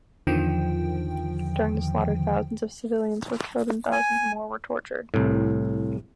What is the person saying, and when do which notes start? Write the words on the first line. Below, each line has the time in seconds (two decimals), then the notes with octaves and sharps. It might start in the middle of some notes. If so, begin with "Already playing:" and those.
During the slaughter, thousands of civilians were killed and thousands more were tortured.
0.27 E2 D3 D#3 F3 G5
3.92 G#5
5.14 C2 A2